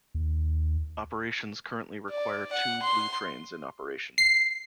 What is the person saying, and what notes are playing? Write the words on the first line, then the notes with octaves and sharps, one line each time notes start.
Operations currently require two Blue Trains in operation.
D#2
D5
F#5
C6
C7